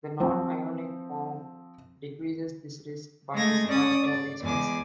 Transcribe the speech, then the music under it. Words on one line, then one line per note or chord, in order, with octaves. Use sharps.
The non-ionic form decreases this risk, but is much more expensive.
F3 C4
G#3 A3 G#6 A#6
C#4 D5 D#6
D5
E2 G#3 G#5 D6